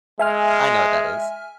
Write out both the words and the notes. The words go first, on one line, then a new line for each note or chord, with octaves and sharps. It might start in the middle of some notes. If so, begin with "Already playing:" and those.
I know what that is.
G#3 E5 G#5 F6